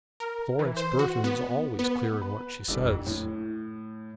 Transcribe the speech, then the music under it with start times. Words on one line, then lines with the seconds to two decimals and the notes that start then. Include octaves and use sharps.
"Florence Burton is always clear in what she says."
0.20 A#4
0.59 E3
0.77 C5
0.99 F#4
1.24 B3
1.79 B3
2.22 B4
2.68 G1 G3 D4 E4
2.85 F2
3.07 A2